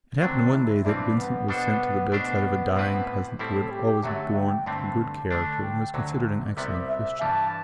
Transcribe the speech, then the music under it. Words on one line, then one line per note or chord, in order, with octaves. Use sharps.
It happened one day that Vincent was sent to the bedside of a dying peasant who had always borne a good character and was considered an excellent Christian.
D3 F#3 A3 C4 D4
E4
G2 E3 G3 C4 D4
B3
B2 G3 B3 D4 A4 C5
B2 A3 B3 D4 G4 C5
A2 G3 C4 E4 B4
A2 G3 C4 E4 A4
G4
F#2 D3 F#3 A3 E5
G5
G2 D3 A3 C4 A5
D3 A3 D4 A5
G5
D2 D3 F#3
C2 C3 G3 B3 E5
E5
G2 E3 G3 A5